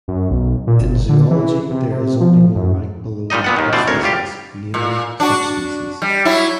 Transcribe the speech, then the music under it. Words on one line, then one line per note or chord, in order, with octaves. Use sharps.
In zoology there is only one rank below that of species, namely "subspecies".
F#2
B1
A#2
G1
D3
E3
C3
C3
F3
F#2
A#2 G3 D#4 D#5
A#2 B3 F#5
D#2 D#3
D2 B2 E3 C5 D5
G#1 D2 A#4 C#5
G3 F4 G4
A#2
D4 F#4
G3
F#3 E4